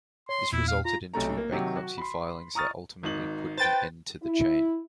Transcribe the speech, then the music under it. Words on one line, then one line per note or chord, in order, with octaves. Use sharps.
This resulted in two bankruptcy filings that ultimately put an end to the chain.
C#5 C6
E2 A#2 E4
F5
F4 A#5
B1 C3 A3 A#5
A#3
C3 D#3 F#3 G4
F#4
B5 C6
A#5 C#6 D#6 F6 A6
G#1 D#4 F#7
B4 C5 G5 A6
E4